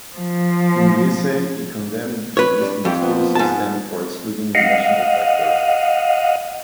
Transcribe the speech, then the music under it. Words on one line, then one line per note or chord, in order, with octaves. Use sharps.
In the essay he condemned the existing school system for excluding "the national factor".
F3
B4 C#5
G3 D4
F2 A3 G4
F3 A#3 B3
G#2 A5
D#5 F5 F#5